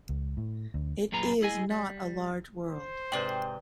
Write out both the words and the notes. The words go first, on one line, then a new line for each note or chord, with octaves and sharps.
It is not a large world.
C#2
A2
D2
F#2 A#2 G#4 B4 A#5
E4 G#4 D#5 G#5
G3
C5
G#2 C3 B4 D5 G5 F#7